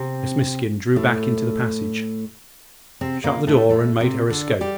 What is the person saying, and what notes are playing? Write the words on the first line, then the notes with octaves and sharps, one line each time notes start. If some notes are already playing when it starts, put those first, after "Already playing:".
Miss Miskin drew back into the passage, shut the door, and made her escape.
Already playing: C3 C4
A2 A3
C3 C4
A#2 A#3
A2 A3
A2 A3
C3 C4
D3 D4
G3 G4